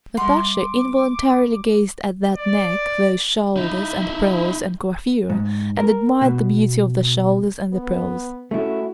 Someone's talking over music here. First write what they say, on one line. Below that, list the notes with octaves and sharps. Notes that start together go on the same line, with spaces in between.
Natasha involuntarily gazed at that neck, those shoulders, and pearls and coiffure, and admired the beauty of the shoulders and the pearls.
G3 F#5 C6 D6
D5
D#4 E4
G#2
A#4
B2
B3
A3 C#4 E4 F#4